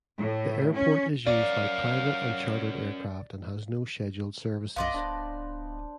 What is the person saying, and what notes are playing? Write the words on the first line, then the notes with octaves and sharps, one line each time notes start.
The airport is used by private and chartered aircraft and has no scheduled services.
A2
C#4
C#4 A#4 D5 F5
B1 B3 D5 D#5 F5 C6
D1 D4 C5